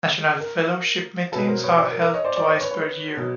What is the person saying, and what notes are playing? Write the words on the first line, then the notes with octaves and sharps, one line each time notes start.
National Fellowship meetings are held twice per year.
A#4
B2 F#3 A4 B4
A#4 C5
B4 C#5
C5 D5
A#4
A#4
C#5 D#5
C5 D5
C5 D5
C5 D5
B4 C#5
B4 C#5
B2 F#3